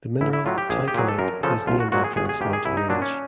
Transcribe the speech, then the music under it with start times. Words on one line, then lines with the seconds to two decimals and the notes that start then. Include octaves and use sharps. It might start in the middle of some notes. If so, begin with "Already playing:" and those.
The mineral Taikanite is named after this mountain range.
0.21 A1 E4
0.33 E4
0.46 A2 F#3 F4
0.58 G4
0.70 A#1 G#4
0.88 G4
0.94 A#2 F#3 G#4
1.08 A4
1.19 F#2 A#4
1.43 C#3 F3 A4
1.67 C2 F4
1.80 F#4
1.92 A#2 F#3 F#4
2.04 G#4
2.16 G1 G#4
2.29 G#4
2.41 G2 D#3 G4
2.53 G#4
2.65 C2 E4
2.77 D#4
2.90 A#2 F#3 D4
3.02 C#4